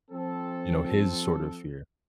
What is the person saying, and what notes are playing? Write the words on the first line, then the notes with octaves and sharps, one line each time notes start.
you know, his sort of fear.
F3 C4 A4